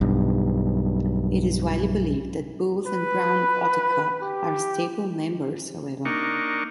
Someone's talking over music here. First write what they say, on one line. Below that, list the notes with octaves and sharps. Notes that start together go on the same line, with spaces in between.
It is widely believed that Booth and Brown of Autechre are staple members, however.
B1 G2
B4
G4
A#3 D4 D#4 C#6